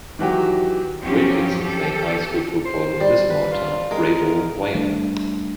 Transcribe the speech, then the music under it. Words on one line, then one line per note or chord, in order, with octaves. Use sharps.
Wilkinson played high school football in the small town of Greybull, Wyoming.
D#3 E3 F#3 F#4 G4
F3 F#3 C4 C#4 G4
G4 A4
C5
G3
B4
F4
G#3 A#4
G3 A3 D4